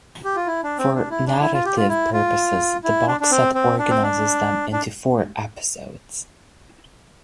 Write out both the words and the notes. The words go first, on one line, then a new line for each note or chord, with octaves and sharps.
For narrative purposes the box set organizes them into four "episodes".
G4
F4
E4
D4
C4
D4
E4
D4
E4
F4
G4
F4
E4
F4
E4
D4
D4
C4
C4
D4
C4
D4
D4